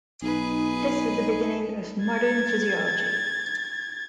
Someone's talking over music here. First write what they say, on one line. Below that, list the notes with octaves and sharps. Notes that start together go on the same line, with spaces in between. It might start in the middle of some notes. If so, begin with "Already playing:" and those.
This was the beginning of modern physiology.
B1 D#4 G#4 B4
G#6 A6